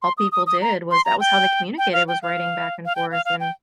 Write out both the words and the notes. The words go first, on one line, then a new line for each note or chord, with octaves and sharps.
all people did was that was how they communicated was writing back and forth and
C6
D#6
D#6
D#6
A#5
C6
A#5
G5
G5
F5
G5
F5
F5
G5
F5
F5
G5